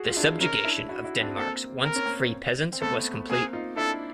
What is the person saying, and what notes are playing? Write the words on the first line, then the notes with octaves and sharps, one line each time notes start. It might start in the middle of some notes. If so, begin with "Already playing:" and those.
The subjugation of Denmark's once free peasants was complete.
Already playing: F#4 G#4
F4
D4 E4
C#4 D#4 A#4
D4 E4
E4 F#4
E4 F#4
C4 D4
A#3 C4 A4
C4 A#4
C#4
A#3 C4
C4
A3 B3 A4
A#3 C4 G#4
D#4 F4
D4 E4 A4